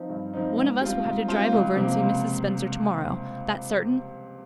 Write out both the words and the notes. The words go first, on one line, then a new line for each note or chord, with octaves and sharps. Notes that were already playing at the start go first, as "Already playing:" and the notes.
One of us will have to drive over and see Mrs. Spencer tomorrow, that's certain.
Already playing: F3 C4 D#4
G2
F3 C4 D#4
G#2
G3 C4 F4 C5
G#2
G3 C4 F4 C5
C#2
C3 F3 A#3
C#2